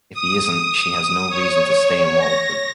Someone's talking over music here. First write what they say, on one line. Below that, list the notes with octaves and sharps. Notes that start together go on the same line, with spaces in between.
If he isn't, she has no reason to stay in Walford.
D#6
C#5
A#6